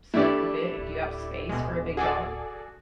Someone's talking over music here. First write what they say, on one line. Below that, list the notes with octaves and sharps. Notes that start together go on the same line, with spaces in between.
so big? Do you have space for a big dog?
A3 D4 E4 G4 D5
D1
B2 G#3
F#4 G#4 A4 D5